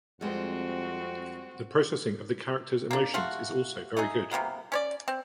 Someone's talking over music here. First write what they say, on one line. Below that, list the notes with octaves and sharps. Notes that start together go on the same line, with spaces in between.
The processing of the characters’ emotions is also very good.
F2 G3 G#3 C4 F#4
A#3 D4
A3 F4 F#4
A3 D#4 G#4
C3 D#3 A#3 B3
C#4 C#5 D5
C4